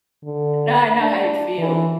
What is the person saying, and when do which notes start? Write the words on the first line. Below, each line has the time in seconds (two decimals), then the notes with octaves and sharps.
No, I know how you feel.
0.25 D3
1.01 D4
1.58 E3